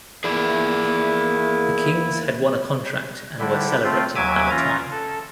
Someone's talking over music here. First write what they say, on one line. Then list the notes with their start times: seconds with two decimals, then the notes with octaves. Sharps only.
The Kings had won a contract and were celebrating at the time.
0.24 E2 A#3 E4 G#4 D5 E5
3.39 D3 G3 E4
3.84 A3 C4 F4
4.15 D#2 F#3 E5 G#5 D6 G#6
4.50 E3 C#4 F4 A#5
4.90 A4